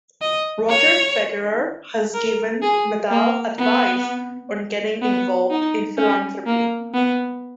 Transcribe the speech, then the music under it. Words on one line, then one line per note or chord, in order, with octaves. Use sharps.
Roger Federer has given Nadal advice on getting involved in philanthropy.
D#5
C#5
A#4
G#4
A#3
B3
B3
D#4
C#4
A#3
B3